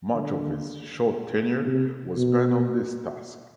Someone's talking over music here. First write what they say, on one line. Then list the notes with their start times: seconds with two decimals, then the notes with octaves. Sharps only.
Much of his short tenure was spent on this task.
0.14 D3
1.67 C3
2.17 B2